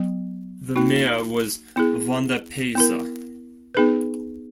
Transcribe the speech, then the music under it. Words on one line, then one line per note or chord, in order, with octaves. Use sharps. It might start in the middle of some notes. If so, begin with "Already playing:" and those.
The mayor was Vondapeysa.
Already playing: F#3 B3
A#3 D#4 F#4
B3 E4 G#4
B3 E4 A#4
B3 D#4 G#4 B4